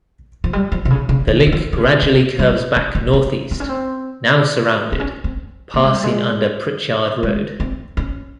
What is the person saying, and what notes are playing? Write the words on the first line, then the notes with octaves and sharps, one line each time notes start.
The Linc gradually curves back northeast, now surrounded, passing under Pritchard Road.
F3
G3
F3
C3
C#3
C#3
D#3
D#3
F3
D#3
C#3
C#3
G3
C#4
C#4
C4
C4
C#4
C4
C4
C#4
C4
A#3
G#3
G3
G#3
G#3
C4
C#4